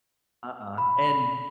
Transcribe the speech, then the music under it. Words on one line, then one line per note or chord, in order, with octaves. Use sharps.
Uh-uh, and
B5